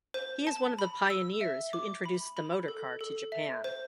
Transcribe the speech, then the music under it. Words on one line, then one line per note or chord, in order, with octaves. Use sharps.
He is one of the pioneers who introduced the motor car to Japan.
C5
A5
B5
E6
E5
D6
B5
B5
A4
A4
E5
C5